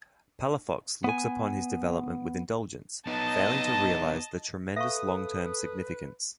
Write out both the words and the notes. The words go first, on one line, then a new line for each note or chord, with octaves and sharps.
Palafox looks upon this development with indulgence, failing to realize the tremendous long-term significance.
B3 G#5
B3 D#4 D#5 A5
A4 B4 E5 F5 C#6 D#6